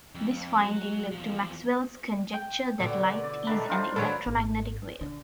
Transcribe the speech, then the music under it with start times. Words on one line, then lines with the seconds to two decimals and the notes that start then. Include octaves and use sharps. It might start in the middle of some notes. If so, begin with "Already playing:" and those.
This finding led to Maxwell's conjecture that light is an electromagnetic wave.
0.15 F2
0.63 F#3
1.12 E2 F3
2.34 G5
2.80 B2 D3
3.24 D5
3.47 D#3 D4 A4 E5 B5
3.68 D4 F4 C5
3.96 D#3 F#3 D4 A4 B4 C#5 G#5
4.26 G#1
5.01 D3